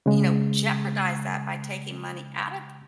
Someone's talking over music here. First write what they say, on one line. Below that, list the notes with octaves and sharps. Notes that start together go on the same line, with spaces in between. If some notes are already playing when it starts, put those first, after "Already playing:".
you know, jeopardize that by taking money out of
C#3 G#3